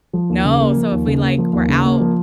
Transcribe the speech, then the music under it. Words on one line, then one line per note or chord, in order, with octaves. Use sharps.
No, so, if we, like, were out,
F3
D#2
C#3
A#3
F3
D#2
C#3
A#3
F3
D#2
C#3
A#3
F3